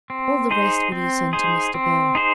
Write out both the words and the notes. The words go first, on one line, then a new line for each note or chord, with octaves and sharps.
All the rest will you send to Mr. Bell?
C4
D#4 G#4 C5
C4
D#4 G#4 C5
C4
D#4 G#4 C5